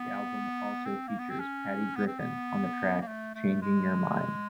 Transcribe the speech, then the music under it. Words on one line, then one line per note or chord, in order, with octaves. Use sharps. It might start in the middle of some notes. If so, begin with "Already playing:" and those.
The album also features Patty Griffin on the track "Changing Your Mind".
Already playing: B3
C4
A#3
B3
C4
C#4
B3
C4
B3
A#3
A3
A3
G#3